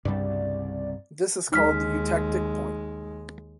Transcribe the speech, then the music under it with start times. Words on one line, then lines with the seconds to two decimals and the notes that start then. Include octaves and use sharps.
This is called the eutectic point.
0.05 C2 G2 C#3 G3 D5
1.52 D#2 G#3 D#4 F6 B6